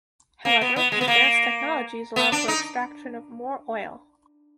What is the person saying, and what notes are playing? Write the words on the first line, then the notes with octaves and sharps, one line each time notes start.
However, advanced technologies allow for extraction of more oil.
A#3
B3
B3
G#3
B3
A#3
B3
D4
D#4